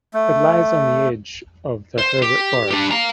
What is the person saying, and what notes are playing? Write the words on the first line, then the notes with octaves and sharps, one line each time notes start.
It lies on the edge of the Herbert Forest.
A3
C5
G4
D4 G4
F5 A#5